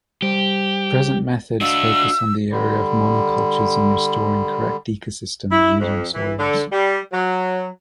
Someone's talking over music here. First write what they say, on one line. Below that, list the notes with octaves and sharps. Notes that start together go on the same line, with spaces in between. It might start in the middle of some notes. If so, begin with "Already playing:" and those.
Present methods focus on the area of monocultures and restoring correct ecosystems using soils.
G3 G4 C5
D4 F#4 D#5 F5 E6
D3 G3
E4
F2
E3
D3
G3
F#3